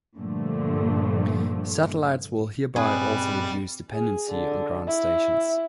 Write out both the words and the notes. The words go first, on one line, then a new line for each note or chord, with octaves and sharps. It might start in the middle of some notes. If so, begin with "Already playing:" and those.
Satellites will hereby also reduce dependency on ground stations.
G2 A#2 D3 F3 A3
G2 A#2 G3 C4 G#4 B4
G#4
D3
E4